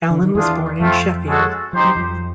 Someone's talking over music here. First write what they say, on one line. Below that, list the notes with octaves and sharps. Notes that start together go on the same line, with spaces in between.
Allan was born in Sheffield.
D3
D#3
E2 E3 D4 F4 G#4
F2 F3 A3 C4 F4
G#3 C#4 F#4 A4
F3 D#4 G4 C5
F#3
F2 F3